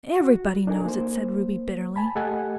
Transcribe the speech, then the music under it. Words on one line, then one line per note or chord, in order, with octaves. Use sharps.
"Everybody knows it," said Ruby bitterly.
F#4
D4 D#4 A4 A#4 G#5
A#3 C5
G#5 A5 B5
A3 G4 A4 D#5 F#5 G#5